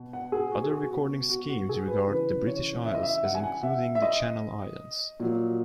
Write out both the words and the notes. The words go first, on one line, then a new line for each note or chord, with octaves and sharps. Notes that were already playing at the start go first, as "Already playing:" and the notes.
Other recording schemes regard the "British Isles" as including the Channel Islands.
Already playing: B2
F#5
G#4
F#4
G#4
F#4
F#4
F#4
F#4
G#4
B4
C#3 E3 B4
C#5
E5
D#5
E5
F#5
G#5
F#5
E5
E5
D#5
A#2 F#3